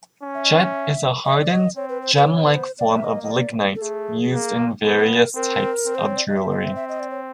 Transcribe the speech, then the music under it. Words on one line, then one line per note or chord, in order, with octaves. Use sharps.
Jet is a hardened, gem-like form of lignite used in various types of jewelry.
C#4
E5
D#5
E5
D#5
D5
D#5
C4 C#5
B4
C5
B4
B3 C#5
B4
C5
A#3 D5
E5
D#5
D#5
D5
A4
A3 G#4
A#3
B3 A4
A4
A#4
C4 A#4
C4
C5
C#5
D5
D#5
C4 E5
D#5
E5
E5
D#5
D5
C#5